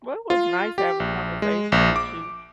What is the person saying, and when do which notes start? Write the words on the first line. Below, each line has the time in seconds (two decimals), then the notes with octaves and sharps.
Well, it was nice having a conversation with you.
0.30 F4
0.78 G4
1.00 A#1
1.42 G#3
1.72 A#1
1.96 D6